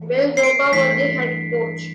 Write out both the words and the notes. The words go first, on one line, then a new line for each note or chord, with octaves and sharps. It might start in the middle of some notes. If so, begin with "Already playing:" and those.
Bill Roper was the head coach.
Already playing: E3
C7
D7
G2 E3 A3 B6